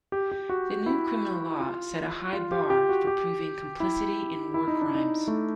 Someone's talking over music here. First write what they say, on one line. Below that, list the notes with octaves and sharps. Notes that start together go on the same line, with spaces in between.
The new criminal law set a high bar for proving complicity in war crimes.
G4
G4
F#4
E4
F4
F4
G4
G4
F#4
G4
E4
E4
D#4
D4
D#4
A3